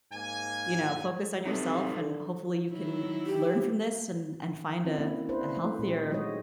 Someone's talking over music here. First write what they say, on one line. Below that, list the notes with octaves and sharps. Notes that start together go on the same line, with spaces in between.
you know, focus on yourself, and hopefully you can learn from this, and and find a a healthier
G#2 A#3 G#5
C3 D#4 A4 B4
D3
D#3 F#3 E4
G4
C4 C#4 E4 F#4
A#3
D4 E4 B4 C5
A3
A#2 G4
F#3 G#3 D#4 F#4 C#5 D#5